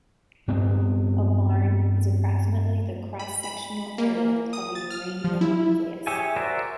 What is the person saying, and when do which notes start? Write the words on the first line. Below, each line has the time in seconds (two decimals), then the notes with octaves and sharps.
A barn is approximately the cross-sectional area of a uranium nucleus.
0.48 G2 B3 C4
3.19 B5
3.43 B5
3.98 A#3
4.53 D#6
4.75 A6
4.91 F6
5.24 F3
5.41 E4
6.07 G4 G#4 C#5 E5 G#5
6.36 F#4 A#4 C5 D5 E5